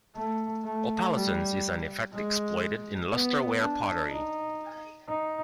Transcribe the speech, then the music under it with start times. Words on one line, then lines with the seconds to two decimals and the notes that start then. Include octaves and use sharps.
Opalescence is an effect exploited in lustreware pottery.
0.16 A3
0.65 A3
1.14 G3
2.13 G#3
3.11 B3
3.60 D4
4.10 D#4
5.08 D#4